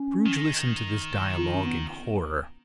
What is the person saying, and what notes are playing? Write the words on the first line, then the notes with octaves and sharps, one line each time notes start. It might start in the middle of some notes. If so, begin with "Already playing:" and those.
Scrooge listened to this dialogue in horror.
Already playing: C#4
D#3
F4
D#4
C#4
B3